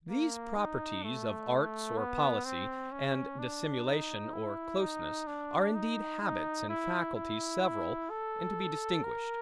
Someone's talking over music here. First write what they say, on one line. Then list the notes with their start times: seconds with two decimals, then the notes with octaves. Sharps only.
These properties, of arts or policy, and dissimulation or closeness, are indeed habits and faculties several, and to be distinguished.
0.09 A#3
0.57 D#4
1.03 A3
1.97 B3
2.45 C4
2.92 C#4
3.39 D4
3.86 D#4
4.33 E4
4.81 D#4
5.27 D4
5.75 D#4
6.22 D#4
6.69 E4
7.15 E4
8.10 A4
9.04 A#4